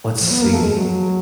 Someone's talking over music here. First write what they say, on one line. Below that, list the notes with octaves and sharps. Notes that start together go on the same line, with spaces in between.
let's see.
F3
B3
A#3
A3
G#3
F#3